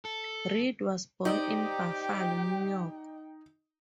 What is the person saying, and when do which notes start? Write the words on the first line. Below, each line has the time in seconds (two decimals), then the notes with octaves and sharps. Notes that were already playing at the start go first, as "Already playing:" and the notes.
Read was born in Buffalo, New York.
0.05 A4
1.25 D#4 G4 C5 D5 D#5 G5